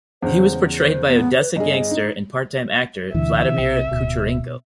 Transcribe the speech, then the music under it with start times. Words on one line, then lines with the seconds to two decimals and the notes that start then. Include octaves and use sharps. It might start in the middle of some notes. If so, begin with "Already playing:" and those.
He was portrayed by Odessa gangster and part-time actor Vladimir Kucherenko.
0.22 E2 C#3 C5
0.78 C5
1.08 B3
1.39 B4
1.56 G1 G#4 D#5
1.91 D#4
3.15 D2 B2 D3 E3 E5
3.58 B1 C3 C4
3.92 D1 B2